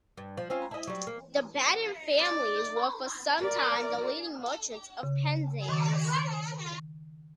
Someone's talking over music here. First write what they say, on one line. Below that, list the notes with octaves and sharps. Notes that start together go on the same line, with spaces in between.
The Batten family were for some time the leading merchants of Penzance.
G2
F3
C4 C#4 F4
E4 D#5
F#3 G3
A#3
D5
A#4 D5
C#3
D#3